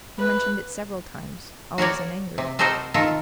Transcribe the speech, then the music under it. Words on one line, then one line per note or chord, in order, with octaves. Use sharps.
"He mentioned it several times, always in anger."
B4
F#4 A#4 C#5 D5
C3
F#4 A4 A#4 C5 D#5 G5
D#3 F4 A4 A#4